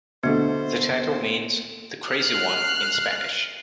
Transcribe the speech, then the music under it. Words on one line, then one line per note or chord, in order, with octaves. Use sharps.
The title means "The Crazy One" in Spanish.
B2 D3 A3 B3 C5
F6 F#6 C7